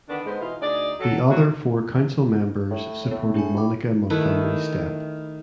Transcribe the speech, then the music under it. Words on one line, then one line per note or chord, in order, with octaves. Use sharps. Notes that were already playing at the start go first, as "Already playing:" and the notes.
The other four council members supported Monica Montgomery Steppe.
D3 D#3 B3 D4
G#2 G#3 B3 A4 C5
B2 E3 D#4 F4
D2 D#4 G#4 D5
F#3 A4
G#3 A3 D4 E4 F#4
A2
A2 B3
D4 G#4 G#5
G5 B5 D6
D#3 A3 E4 B4